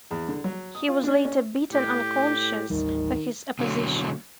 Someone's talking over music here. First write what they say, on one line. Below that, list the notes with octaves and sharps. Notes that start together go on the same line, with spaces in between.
He was later beaten unconscious for his opposition.
E2
D3
F#3
D#6
F4
D4
C#4
A2 G4
A1 D#2 D#3 G3
B2 D3 F#3